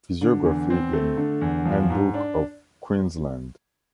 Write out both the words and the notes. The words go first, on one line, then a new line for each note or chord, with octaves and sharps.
Physiography in "Handbook of Queensland".
D3
E2
C4
A3
D3
E2
F3
G#2
D4